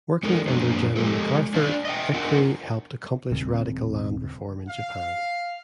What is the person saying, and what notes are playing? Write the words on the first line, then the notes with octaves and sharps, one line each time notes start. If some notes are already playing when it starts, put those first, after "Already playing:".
Working under General MacArthur Vickrey helped accomplish radical land reform in Japan.
G#3 D#4 A4 A#4
F#2 F3 A#3 D4 C5
F3 G#3 G4 A4 A#4
D4 C5 D5 F5
D#5 E5 G5
D4 F4 A#4 F#5
D#1 C#3 G3 C4
F5